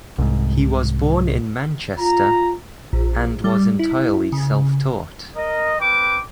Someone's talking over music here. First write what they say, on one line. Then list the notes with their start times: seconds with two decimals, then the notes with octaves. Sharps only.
He was born in Manchester, and was entirely self-taught.
0.18 C2 G#2
1.99 F4 A#5
2.93 A#1
3.44 G3
3.79 E4
4.32 C#3
5.37 A#4 D#5
5.79 C4 B4 G5 D6